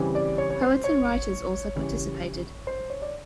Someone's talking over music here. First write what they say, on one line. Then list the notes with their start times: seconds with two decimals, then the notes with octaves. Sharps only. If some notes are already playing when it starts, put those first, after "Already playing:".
Poets and writers also participated.
Already playing: C#3 E3 G3 C4
0.15 D5
0.38 C#5
0.50 C#5
0.62 C5
0.84 C#5
1.76 C#3 E3 G3
2.67 C5
2.90 C#5
3.02 D5